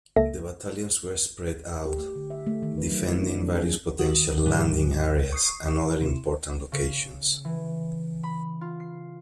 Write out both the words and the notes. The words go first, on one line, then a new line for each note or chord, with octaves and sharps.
The battalions were spread out defending various potential landing areas and other important locations.
C#2 A#3 A4 E5 A#6
G4
A3
D3
E5
A3
D#3
B4
F#3
E4
D4
F3
G#4
D#3 F#4
G#2 D3 F#3 G4
C#6 D#6 C7
C3 E4
C#3
E3
B5
F4
C7